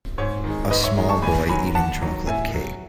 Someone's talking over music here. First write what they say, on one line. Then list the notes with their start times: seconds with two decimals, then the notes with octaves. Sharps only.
A small boy eating chocolate cake.
0.18 G#2 C#5
0.44 D#3 G#3
0.70 G#2 B4 D#5
0.83 C#5 E5
0.96 D#3 G#3
1.09 A5 C#6
1.22 D#2 G#5 B5
1.48 D#3 F#3 G#5 B5
1.75 D#2 F#5 A5
2.01 D#3 F#3
2.27 A2 E5 G#5
2.54 F#3